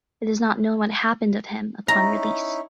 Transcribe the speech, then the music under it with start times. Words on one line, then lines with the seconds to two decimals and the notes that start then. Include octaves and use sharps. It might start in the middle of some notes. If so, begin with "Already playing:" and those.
It is not known what happened of him upon release.
1.88 C#4 D#4 E4 A#5